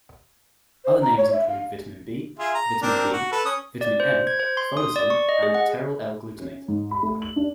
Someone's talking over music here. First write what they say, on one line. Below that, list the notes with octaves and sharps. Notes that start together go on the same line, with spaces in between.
Other names include vitamin B, vitamin B, vitamin M, folacin, and pteroyl-L-glutamate.
C5
A#5
C#5
E5
F5
F4 G#4 E5
A#5
C4 D4 A#4
F#4
A4 B4
C#4 D#6
D5
C5
G#6
C5
C6
D#6
D5
C#6
D#5
G#4
F#5
C#4
G#2
B5
A3
F#7
D4